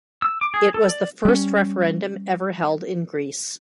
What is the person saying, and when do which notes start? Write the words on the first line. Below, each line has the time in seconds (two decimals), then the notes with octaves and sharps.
It was the first referendum ever held in Greece.
0.22 E6
0.41 D6
0.54 G#4
0.74 A4
0.89 D5
1.25 G3 C#4